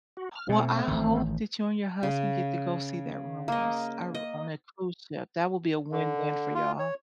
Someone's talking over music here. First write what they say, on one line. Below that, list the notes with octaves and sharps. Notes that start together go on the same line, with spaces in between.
Well, I hope that you and your husband get to go see that Rumors, I r on a cruise ship, that will be a win-win for y'all.
F#4
F6
B2 A3 C4
A1 D#3
C#3
A#3 D#5
D#5
D3
F4
C#5